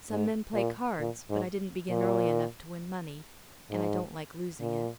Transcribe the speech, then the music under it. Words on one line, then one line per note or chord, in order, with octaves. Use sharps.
Some men play cards; but I didn't begin early enough to win money, and I don't like losing it.
G#2
A#2
A#2
G#2
A#2
G#2
A#2